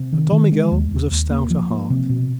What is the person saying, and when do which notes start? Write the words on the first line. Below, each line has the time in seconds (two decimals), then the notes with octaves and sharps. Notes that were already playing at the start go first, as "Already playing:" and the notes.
But Don Miguel was of stouter heart.
Already playing: C3
0.12 D#3
0.32 D#3
0.52 G#3
0.71 D#2
0.91 D#2
1.11 D#2
1.30 A#3
1.50 F3
1.70 A#3
1.90 C3
2.09 B2